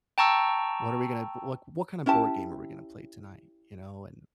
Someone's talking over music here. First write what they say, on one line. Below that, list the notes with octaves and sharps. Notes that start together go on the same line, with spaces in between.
"What are we gonna w like, what kind of board game are we gonna play tonight?" You know? And
G5 A5 A#5 C#6 E6
C#4 E4 G4 A5